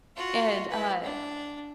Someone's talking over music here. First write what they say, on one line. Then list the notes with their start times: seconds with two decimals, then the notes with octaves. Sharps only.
and, uh
0.16 F4 F#4
0.71 E4 B4
1.03 D4